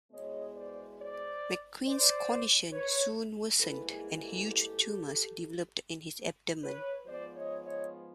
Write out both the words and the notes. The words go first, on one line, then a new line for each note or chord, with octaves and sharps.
McQueen's condition soon worsened and "huge" tumors developed in his abdomen.
E2 B2 G#3 B3 C#5 D#5
C5 D5
C5 D5
C5 D5
B4 C#5
G#2 E3 G3 A#3 A4 B4
G#4 A#4
G4 A4
B4 C#5
G#2 F3 G#3 B3 C5 D5
C#5 D#5
C#5 D#5